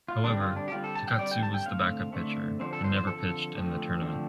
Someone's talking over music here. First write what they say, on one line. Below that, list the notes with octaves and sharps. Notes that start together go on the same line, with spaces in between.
However, Takatsu was the backup pitcher, and never pitched in the tournament.
F4
D3 G3 C4 D4
F4
D4
G4
D3 G3 C4 F4
A4
A5
G5
D3 G3 C4 D5
G5
A5
G5
D3 A3 C4 F5
D3 A3 C4
D3 F3 C4 C5
A4
C5
C5
D3 F3 C4 A4
D3 F3 A3 C4
D3 F3 A3 C4